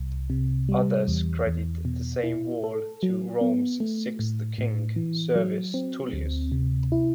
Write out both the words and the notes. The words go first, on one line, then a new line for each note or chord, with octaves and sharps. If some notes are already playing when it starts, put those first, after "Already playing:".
Others credit the same wall to Rome's sixth king, Servius Tullius.
Already playing: C2
C3
G3
E2
E2
B2
E4
A4
F#3
B3
A3
A2
A2
E3
F#3
C4
D2
C3
E4